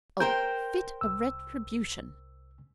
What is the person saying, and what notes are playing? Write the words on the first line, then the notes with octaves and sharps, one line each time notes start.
Oh, fit retribution!
A#4 C5 G5 G6
C2 E6